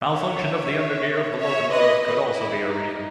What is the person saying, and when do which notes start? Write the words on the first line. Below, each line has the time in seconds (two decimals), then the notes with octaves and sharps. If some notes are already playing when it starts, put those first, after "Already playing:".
Malfunction of the undergear of the locomotive could also be a reason.
0.11 C#5 E5
1.38 C#5 E5
1.70 B4 D#5
2.02 B4 D#5
2.34 E4
2.66 D#4